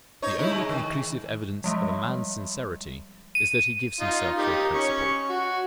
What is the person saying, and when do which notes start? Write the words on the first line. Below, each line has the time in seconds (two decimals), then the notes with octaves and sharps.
The only conclusive evidence of a man's sincerity is that he gives himself for a principle.
0.22 D#4 C#5
0.39 D#4 E4
0.52 G#3
0.69 D#3
1.64 F3 G3 G#3
3.35 D#7
4.00 D#4 F4
4.38 D#4 G4 A#4
4.74 C#4 C#6
5.29 F#4